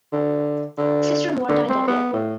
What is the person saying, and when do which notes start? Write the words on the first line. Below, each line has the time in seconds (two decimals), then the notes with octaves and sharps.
Sister More died that year.
0.13 D3
0.78 D3
1.49 D3
1.69 C4
1.88 B3
2.13 A2